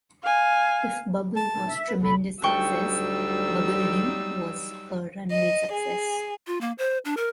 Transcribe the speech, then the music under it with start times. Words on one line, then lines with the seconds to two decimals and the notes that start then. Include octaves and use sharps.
If "Bubble" was tremendous success, "Buggle D" was a run-way success.
0.23 F5 G#5
1.36 A5
1.65 E5
1.89 B4
2.03 A4 B5
2.43 D2 F#3 G3 D#4 G5 C#6 E6
5.31 D#5
5.72 G#4
6.47 F4
6.61 A#3
6.78 C5
7.05 D4
7.17 A#4